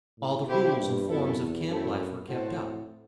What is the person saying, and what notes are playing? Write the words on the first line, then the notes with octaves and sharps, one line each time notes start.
All the rules and forms of camp-life were kept up.
A2
C3 A3 E4 G4 C5
G2
F#2 B3 E4 A4
E2
F#2 A3 C4 E4 A4
A2 C4 F#4 C5 F#5 A5